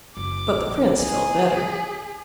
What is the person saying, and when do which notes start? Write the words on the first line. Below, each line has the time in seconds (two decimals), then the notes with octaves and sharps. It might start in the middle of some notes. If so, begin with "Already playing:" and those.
But the prince felt better.
0.17 F#1 D6
0.53 A#1
1.00 E4 G#4